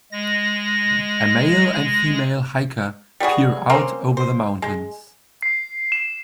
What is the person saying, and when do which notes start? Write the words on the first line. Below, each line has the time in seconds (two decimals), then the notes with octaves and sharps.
A male and female hiker peer out over the mountains.
0.12 G#3 A#6
3.20 G3 B3 F#4 G#4
3.70 A#3 C4 C#4 C5
4.17 C5
4.62 G#3
5.42 C7
5.92 E7